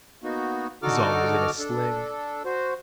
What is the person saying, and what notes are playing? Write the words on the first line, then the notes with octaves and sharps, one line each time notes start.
His arm was in a sling.
A#3 B3 D#4 F#4
D3 D#4 F#4 A4 D6 F6
D4 A4
F#4 C5